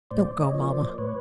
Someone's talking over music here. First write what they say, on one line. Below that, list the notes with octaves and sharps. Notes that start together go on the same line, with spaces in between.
"Don't go, mamma."
A2 C5 D5
C#5 D#5
F3 A#3
C5 D5
A2 B4 C#5